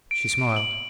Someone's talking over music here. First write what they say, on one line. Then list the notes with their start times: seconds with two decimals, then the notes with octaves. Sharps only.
She smiled.
0.11 D7
0.34 D7
0.56 F#7